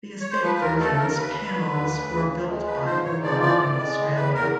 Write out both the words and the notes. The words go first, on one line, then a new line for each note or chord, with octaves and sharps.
The estate version's panels were built by Holden in Australia.
C#5
C5
F3 B4
B4
D#2 A#4
A3 A4
A4
D#2 A#4
A#4
D#2 B4
D#2
D3
D#2
D2
C#3
D2
G#3
F3 B4
G#2 C5
G#2 C#5
F3 D5
E3 D5
A2
G#3
A2
E2 B4
E2 A#4